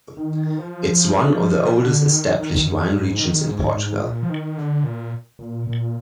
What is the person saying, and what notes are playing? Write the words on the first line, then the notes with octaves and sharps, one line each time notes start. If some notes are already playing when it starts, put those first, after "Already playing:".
It is one of the oldest established wine regions in Portugal.
D#3
F3
D3
D#3
D#3
F#2
G#2
D#3
G#2
G#2
A#2
F3
D#3
D3
A#2
A#2
A#2